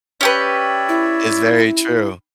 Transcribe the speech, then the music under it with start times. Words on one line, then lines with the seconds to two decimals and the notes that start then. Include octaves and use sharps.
It's very true.
0.21 C#4 G4 B4 C#5 D5 E5
0.89 E4